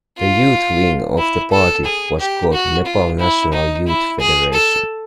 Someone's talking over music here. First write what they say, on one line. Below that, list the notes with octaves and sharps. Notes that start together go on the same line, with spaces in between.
The youth wing of the party was called Nepal National Youth Federation.
F4
E4
A4
G#4
G4
F#4
F4
E4
D#4
E4
G#4
A4